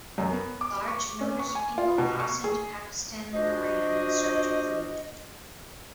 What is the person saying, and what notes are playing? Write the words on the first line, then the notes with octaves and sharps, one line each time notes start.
Large numbers of people cross into Pakistan and Iran in search of food.
F#2
B3
D6
C#6
C#4
C#6
G#5
F4
B2
C#6
G#4
D4 F4 F#4 C5 D#5